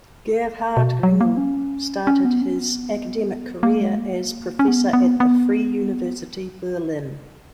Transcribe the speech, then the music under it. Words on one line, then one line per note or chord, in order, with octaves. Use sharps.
Gerhard Ringel started his academic career as professor at the Free University Berlin.
B2
F#3
A#3
C#4
C#4
B3
C#4
B3
A#3
G#3
A#3
C#4
B3
B3
B3